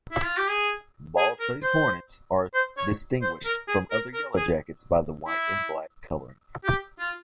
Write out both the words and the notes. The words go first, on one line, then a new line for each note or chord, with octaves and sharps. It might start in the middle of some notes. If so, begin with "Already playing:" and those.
Baldfaced hornets are distinguished from other yellowjackets by their white and black coloring.
E4
F4
G4
G#4
G#4
A#4
C5
C5
C#5
C5
A#4
G#4
A#4
A#4
G#4
E4
G4
F4